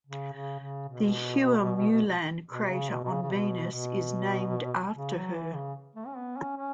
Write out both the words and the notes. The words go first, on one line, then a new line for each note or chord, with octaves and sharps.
The Hua Mulan crater on Venus is named after her.
C#3
C#3
C#3
B2
B2
C#3
B2
B2
C#3
C#3
B2
B2
C#3
F#3
E3
C#3
A3
C#4
B3
C#4
C#4